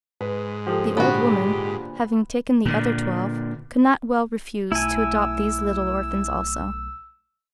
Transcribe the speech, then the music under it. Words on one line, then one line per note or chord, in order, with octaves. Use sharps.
The old woman, having taken the other twelve, could not well refuse to adopt these little orphans also.
G#2 B4
F3 G4 A4
A#2 D3 B3 F#4 G4 C5
A#2 D3
B1 A3 E4 G#5 E6